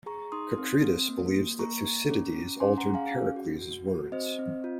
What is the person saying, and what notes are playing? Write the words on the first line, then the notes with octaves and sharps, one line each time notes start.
Kakridis believes that Thucydides altered Pericles words.
G#4 A#5 C#6
D#4 C6 D#6
C4
C4
A#3
A#3
A#3 A#5 C#6
A#3
C#4
C#4
C#4 G#5 C6
F#5 A#5
G#4
F5 G#5
C#4
F#4
F#4
F#4
C4 C5 D#5
C4
F4